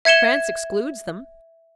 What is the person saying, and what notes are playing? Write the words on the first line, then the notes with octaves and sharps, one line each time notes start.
France excludes them.
E5 G#6 C#7 E7 G7